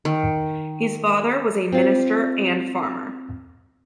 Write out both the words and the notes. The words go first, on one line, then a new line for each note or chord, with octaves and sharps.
His father was a minister and farmer.
D#3
C4 F4